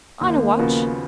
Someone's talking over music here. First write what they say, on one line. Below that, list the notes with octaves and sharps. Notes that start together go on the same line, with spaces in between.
"On a watch."
D#2 A#3
C#3 F3 B3 F#4